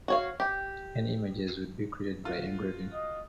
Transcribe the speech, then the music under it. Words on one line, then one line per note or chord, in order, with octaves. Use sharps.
Any images would be created by engraving.
F#4 C#5 F5
G4
A3 F4 F#4
D#5